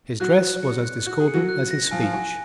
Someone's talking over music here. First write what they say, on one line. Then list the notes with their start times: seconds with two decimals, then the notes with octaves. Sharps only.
His dress was as discordant as his speech.
0.20 F#3 F#4 F#6
0.42 F#6
0.63 C#7
0.85 F#6
1.06 F#4 F#6
1.20 G#4
1.28 C#7
1.34 F#3 F#4
1.49 F#6
1.71 A#6
1.91 F3 F4 G#5
2.03 F3 F4
2.13 F#3 F#4 G#5